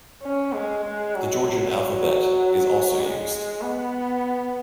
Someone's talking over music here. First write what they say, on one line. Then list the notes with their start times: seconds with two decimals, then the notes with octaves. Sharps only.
The Georgian alphabet is also used.
0.22 C#4
0.54 G#3
0.84 G#3
1.15 F#3
1.77 F#3
2.69 F#3
3.00 G#3
3.62 B3